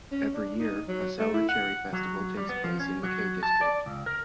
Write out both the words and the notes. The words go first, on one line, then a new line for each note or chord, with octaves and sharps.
Every year, a sour cherry festival takes place in the Cay district.
C#4
D4
D#4
F#3
A3
E4
F#5
F#3
G3
B3
F3
C#4
F#3
A5
D5
C#2
A#4